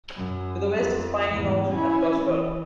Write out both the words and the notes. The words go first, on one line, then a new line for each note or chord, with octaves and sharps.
To the west is Piney Mountain and Frostburg.
F#2
F2
E2 G#2
C#4 E4
E3